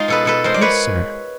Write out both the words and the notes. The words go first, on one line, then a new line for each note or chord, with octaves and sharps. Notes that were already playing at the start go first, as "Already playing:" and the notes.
"Yes, sir."
Already playing: G#3 D#4 F4
B2 A4 B4
B2 A4 B4
G#3 A#4 C5
D5
G#3 B4 C#5